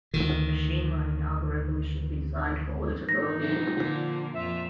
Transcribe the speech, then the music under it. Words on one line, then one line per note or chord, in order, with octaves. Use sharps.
Machine Learning algorithms should be designed for auditability.
D2 D#3
D#4 A#6
C3 F#3
A#2 D3 F3 A#3
F2 F4 E5